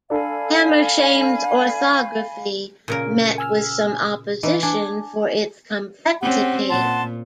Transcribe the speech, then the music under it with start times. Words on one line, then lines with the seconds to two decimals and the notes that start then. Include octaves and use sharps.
Hammershaimb's orthography met with some opposition for its complexity.
0.10 D4 A4 F5 G#5 B5
2.88 A#2 C#3 A#4
3.38 G#5 E6 F6
4.43 E3 D#4
4.63 D4 G#5
6.21 C4 C#4 G4 F#5
6.69 A#2 F#5 A5 C6